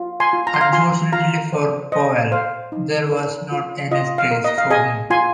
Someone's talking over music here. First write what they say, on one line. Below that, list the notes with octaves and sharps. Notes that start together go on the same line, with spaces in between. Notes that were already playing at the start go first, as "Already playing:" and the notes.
Unfortunately for Powell, there was not a 'next race' for him.
Already playing: F4
G#5 C6
F4
A#5
C6
F5 A#5
F4 G#5 C6
F4 F5 A#5
C5
C5 D#5
C5 F5
D#4
A#4
F4
F4 D#5
F5
A#4
D#5
F5
G#4 D#5 G#5
F4 G#5 C6